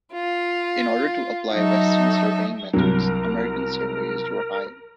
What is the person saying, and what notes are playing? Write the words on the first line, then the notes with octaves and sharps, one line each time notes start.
In order to apply Western surveying methods, American surveyors were hired.
F4
F#3 D#4 A4 E5
C2 F#3 A#4